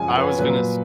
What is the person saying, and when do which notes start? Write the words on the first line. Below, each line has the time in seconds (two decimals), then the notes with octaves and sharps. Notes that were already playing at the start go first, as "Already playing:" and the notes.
I was gonna s
Already playing: F#2 C#3 F3 G#3 G#5
0.08 F#5
0.18 B4
0.23 C#5
0.38 A#2 F#3 B4